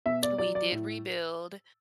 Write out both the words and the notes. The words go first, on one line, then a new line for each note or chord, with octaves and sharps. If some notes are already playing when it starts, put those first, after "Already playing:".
we did rebuild
B2 E5
D5
F#3 D5
D5
A2